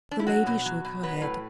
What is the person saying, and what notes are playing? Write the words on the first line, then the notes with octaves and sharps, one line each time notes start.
The lady shook her head.
D4
E4
F#3 F#4
B2
F#3
B2
F#3 B4
A2